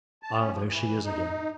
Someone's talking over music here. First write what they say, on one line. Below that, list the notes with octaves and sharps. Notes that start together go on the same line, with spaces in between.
Ah, there she is again.'
A5
C#4
F3
E3
D#4